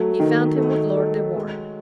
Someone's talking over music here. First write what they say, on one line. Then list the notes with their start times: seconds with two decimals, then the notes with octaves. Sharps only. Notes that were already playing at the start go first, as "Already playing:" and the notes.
He found him with Lord de Warenne.
Already playing: F#3 A3
0.20 D#3
0.57 A3
0.97 A4
1.36 G#3